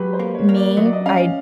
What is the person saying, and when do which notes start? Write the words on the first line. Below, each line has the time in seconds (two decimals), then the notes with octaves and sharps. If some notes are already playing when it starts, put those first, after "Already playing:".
me, I'd
Already playing: F#3 G4 G#4 B4
0.13 C5
0.19 A#3
0.34 C#5
0.49 A#3
0.56 D5
0.77 F#3 D#5
0.85 D5
0.93 D#5
1.06 C#4 F5